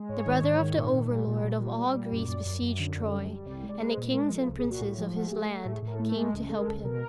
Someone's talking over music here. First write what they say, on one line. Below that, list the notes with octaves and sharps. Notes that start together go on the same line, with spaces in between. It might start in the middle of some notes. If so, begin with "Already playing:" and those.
The brother of the overlord of all Greece beseiged Troy, and the kings and princes of his land came to help him.
Already playing: G#3
G#2 C#5
D#3
G#2
D#3
A#2
A#2
G3
A#2
A#2
G3
G3
A#2
F#2 D5
F#2
F#2
F#2
D3
F#2
G3
G3
C2 D5
G#3
D5
G#3 B4
C5
A#2
G#3 A#4
F3
A4
C2
G#4
A#2
F#4
A2 G4
F3 G4
A3 F#4
G#4
A3 G4
A3
A2
G#4
A2 A#4
A4
A3
G#3 G#4
C#2
G#3 A4
A#4
C#2 A4
B2 A#4